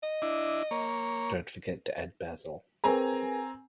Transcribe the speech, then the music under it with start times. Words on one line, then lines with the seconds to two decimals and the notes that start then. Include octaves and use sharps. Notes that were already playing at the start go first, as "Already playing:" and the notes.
Don't forget to add Basil.
0.03 D#5
0.22 D4 E4
0.71 A#3 C#5
2.84 C4 G#4 A#4 B4 G#5 A#5